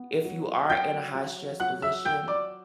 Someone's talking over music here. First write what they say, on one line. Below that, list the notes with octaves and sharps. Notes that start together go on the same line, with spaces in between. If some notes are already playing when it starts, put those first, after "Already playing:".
if you are in a high stress position,
Already playing: B3
F#3
F#3 G5 G6
F#3
F#3 F#5 F#6
E5 E6
F#3 G5 G6
D5 D6